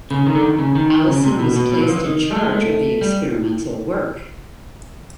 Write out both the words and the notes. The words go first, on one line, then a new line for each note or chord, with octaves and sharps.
Allison was placed in charge of the experimental work.
C#3
D#3
D3
D#3
C#3
D#3
C#3
C3
B2
B2
B2
E3
F3
E3
D#3
G3
G#3
A3
G3